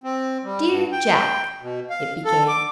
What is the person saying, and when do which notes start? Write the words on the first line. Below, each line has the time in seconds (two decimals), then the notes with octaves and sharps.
"Dear Jack," it began.
0.04 C4
0.44 G3
0.69 G2
0.92 G5
1.62 B2
1.90 F5
2.25 A4
2.48 D6